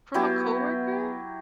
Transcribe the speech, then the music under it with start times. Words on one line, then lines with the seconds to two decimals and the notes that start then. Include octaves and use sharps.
From a coworker?
0.14 F#3 B3 E4 G4